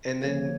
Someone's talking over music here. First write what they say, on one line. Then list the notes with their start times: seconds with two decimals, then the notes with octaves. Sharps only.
and then
0.22 D3 F3 A#3 C#5